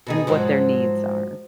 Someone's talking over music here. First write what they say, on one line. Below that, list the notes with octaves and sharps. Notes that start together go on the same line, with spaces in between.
and what their needs are.
B2 D#4 G#4
G#2 F3 F#3